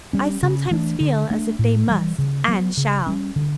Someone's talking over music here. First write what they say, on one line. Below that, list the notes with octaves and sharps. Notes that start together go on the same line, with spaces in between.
I sometimes feel as if they must, and shall.
G3 C#4
C#3
E3 A3 D4
D3
A3 D4
A2
E3 G3
C#3
F#3 B3
C#3
G3 C#4
D3